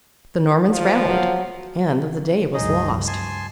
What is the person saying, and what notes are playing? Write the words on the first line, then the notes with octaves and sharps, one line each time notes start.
The Normans rallied, and the day was lost.
F3
F#3
C#2 G2 F#3 D#4 G#4 D#5
G#5 A5 C6